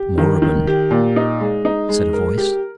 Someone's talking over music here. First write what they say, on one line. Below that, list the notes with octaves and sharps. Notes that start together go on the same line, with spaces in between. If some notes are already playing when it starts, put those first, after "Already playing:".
"Moribund," said a voice.
Already playing: G4
D#3
D#3
G4
A#2
D#4
G#3
D#4
G#3
A#4
G4